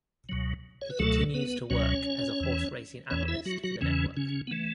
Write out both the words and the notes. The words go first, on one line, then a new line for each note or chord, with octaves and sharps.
He continues to work as a horse racing analyst for the network.
C#2 B2 F#3
C#5
B4
C#2 B2 F#3 A3 A4
B3 B4
C#2 B2 F#3 C#4 C#5
E2 E3
E2 E3 C#4 C#5
E4 E5
F#3 F#4
F#3 F#4
E2 C#3 E3 C#4
C#3 C#4
B3
E3 A3